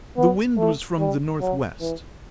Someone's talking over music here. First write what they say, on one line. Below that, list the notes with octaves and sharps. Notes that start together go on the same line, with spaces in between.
The wind was from the north-west.
B3
A3
G3
F#3
E3